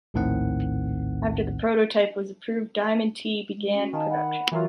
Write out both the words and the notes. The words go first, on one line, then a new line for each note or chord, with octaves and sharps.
After the prototype was approved, Diamond T began production.
A#1 D#2 A2 D#3 C4 F#5
G#3
C#4 F#4
D#3 D#5 F5 G#5 A5
F#5 B5
E3 F#3 F4 F#4 A#4 E5